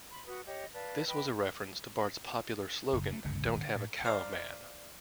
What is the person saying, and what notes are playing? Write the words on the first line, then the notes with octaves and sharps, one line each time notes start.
This was a reference to Bart's popular slogan Don't have a cow, man!
B5 C6
F#4 B4 D#6
G4 C#5 D#5
B4 D5 F5 A5
B4 D#5 G5 B5
F#1
A3
G1 C#2 F#2 C#3
D#1 G#1 G#2
D3
A2
C5 D5 F5 A#5 D6